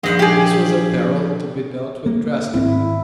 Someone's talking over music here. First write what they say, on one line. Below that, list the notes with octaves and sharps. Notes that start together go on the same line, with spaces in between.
This was a peril to be dealt with drastically.
A#1 G#2 G#3 B5
G4 G#4
A#3
G#1 C4 E4